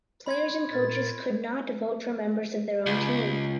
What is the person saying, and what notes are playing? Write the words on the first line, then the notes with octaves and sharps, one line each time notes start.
Players and coaches could not vote for members of their own team.
B5 C6 G#6
A#2 A#4 A6
C#2